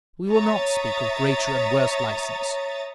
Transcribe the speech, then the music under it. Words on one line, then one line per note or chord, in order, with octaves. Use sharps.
We will not speak of greater and worse license.
C#5 E5 A#5 D#6 A6